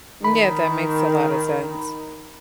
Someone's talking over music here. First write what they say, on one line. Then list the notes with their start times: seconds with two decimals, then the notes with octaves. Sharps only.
M yeah, that makes a lotta sense.
0.24 D#3 B5